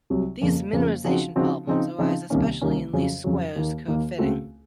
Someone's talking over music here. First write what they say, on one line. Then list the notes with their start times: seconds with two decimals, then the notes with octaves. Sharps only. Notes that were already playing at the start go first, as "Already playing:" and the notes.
These minimization problems arise especially in least squares curve fitting.
0.10 C2 C3 F#3
0.41 F2 C#3 F3 A#3
0.73 F2 C#3 F3 A#3
1.05 C#3 F3 C4 D#4 F#4
1.35 C#3 F3 C4 D#4 F#4
1.67 C#3 F3 C4 D#4
1.98 C#3 F3 C4 D#4
2.30 C2 C3 D#3 A#3 C#4
2.61 C2 C3 D#3 A#3 C#4
2.93 F2 C#3 F#3
3.24 F2 C#3 F#3
3.56 D#2 D#3 A#3
3.88 D#2 D#3 A#3
4.18 C#2 C#3 A3 C4 F#4